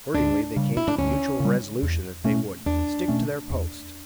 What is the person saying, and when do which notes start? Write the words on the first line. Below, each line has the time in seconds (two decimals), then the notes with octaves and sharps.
Accordingly, they came to the mutual resolution that they would "stick to their post."
0.15 D2 D4
0.56 C#3 G3
0.77 E4
0.88 D4
0.99 D2 C#4
1.40 C#3 G3
1.83 E2
2.24 B2 A3 C#4
2.66 E2 D4
3.08 B2 A3 C#4
3.51 E2